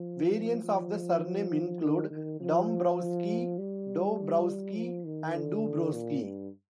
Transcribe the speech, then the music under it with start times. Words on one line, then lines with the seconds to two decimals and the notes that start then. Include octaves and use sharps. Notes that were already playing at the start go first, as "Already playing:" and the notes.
Variants of the surname include Dombrowski, Dobrowski, and Dobrosky.
Already playing: F3
0.63 F3
1.81 D#3
2.10 D#3
2.40 F3
3.59 G3
4.76 F3
5.06 D#3
5.35 D3
5.93 A#2
6.23 G2